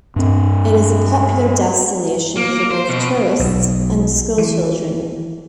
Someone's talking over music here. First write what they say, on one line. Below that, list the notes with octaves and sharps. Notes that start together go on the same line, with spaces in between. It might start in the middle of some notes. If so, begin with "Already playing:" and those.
It is a popular destination for both tourists and schoolchildren.
G2 C4
A#3
C5
B2
B1
E3